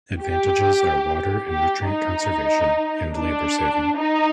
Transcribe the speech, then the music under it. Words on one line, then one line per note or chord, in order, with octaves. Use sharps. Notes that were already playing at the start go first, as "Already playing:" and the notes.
Advantages are water and nutrient conservation, and labor-saving.
G4
G4
D#4
D4
D#4